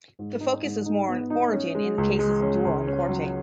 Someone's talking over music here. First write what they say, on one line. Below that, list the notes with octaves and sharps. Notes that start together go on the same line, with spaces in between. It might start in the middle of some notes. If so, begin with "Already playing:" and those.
The focus is more on origin in the cases of Duo and Quatre.
G#2
D#4
G#2
D#4
B3
D#4
C#4
G#3
C#2
G#3
C#4
C#2
C#4
F#3